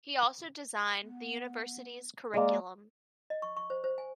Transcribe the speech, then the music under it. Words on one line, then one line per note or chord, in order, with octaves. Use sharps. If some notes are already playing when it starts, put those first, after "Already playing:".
He also designed the university's curriculum.
B3
G#3 A#3 D5
D#5
C#6
C#6
C5
C5
G#5